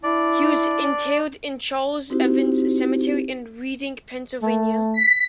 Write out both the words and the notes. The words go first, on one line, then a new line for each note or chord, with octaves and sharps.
He was interred in Charles Evans Cemetery in Reading, Pennsylvania.
D4 E4 D5
C4 D#4 E4 F#4 G4 C5
A3
B6